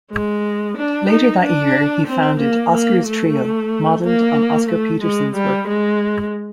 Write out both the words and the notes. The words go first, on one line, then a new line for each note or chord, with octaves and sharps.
Later that year he founded "Oscar's Trio", modeled on Oscar Peterson's work.
G#3
D4
D#4
D4
C4
A#3
A#3
A3
A#3
A3
G#3
G3
G#3